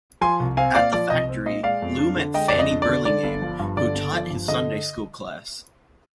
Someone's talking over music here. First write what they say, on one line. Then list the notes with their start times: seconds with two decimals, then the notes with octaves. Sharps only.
At the factory, Lue met Fannie Burlingame, who taught his Sunday School class.
0.21 F3 G#5 C6
0.40 C2
0.57 C4 F5 G#5
0.75 A#2 D5 F5
0.93 F3 D5
1.10 C2 D#5
1.29 C4
1.45 A#2 D#5
1.63 G#3 D5 F5
1.82 F2
1.99 D4
2.17 D3
2.34 G#3 D#5 G5
2.48 F2 D5
2.59 D#5
2.71 D4
2.82 D5
2.89 D3
3.05 D3 D5
3.24 G1
3.42 F3
3.59 G2
3.77 D3 D5
3.94 G1
4.13 F3
4.30 G2
4.48 D3 D#5